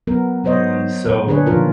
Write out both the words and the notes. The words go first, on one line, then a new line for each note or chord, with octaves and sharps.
and so
F#3 B3 A#4
F#3 B3 C5 C#5 D#5
A#2
D3 D4 G#4 B4 C#5
A#2 D#3 F3 F4 A#4